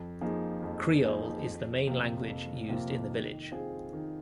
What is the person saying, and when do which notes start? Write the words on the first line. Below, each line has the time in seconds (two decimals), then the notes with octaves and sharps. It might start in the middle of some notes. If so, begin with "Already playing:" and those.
Creole is the main language used in the village.
Already playing: F2
0.21 F3 A#3 D#4 G#4
0.63 F2
1.04 F3 A#3 D#4 G#4
1.45 F2
1.87 C3 F3 A#3 F4
2.28 F2
2.69 C3 F3 A#3 F4
3.10 D#3
3.52 C4 F4 G#4
3.93 D#3